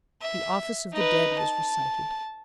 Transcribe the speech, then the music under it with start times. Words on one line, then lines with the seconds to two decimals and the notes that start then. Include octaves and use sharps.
The Office of the Dead was recited.
0.22 E5
0.93 D#4 B4
1.39 A5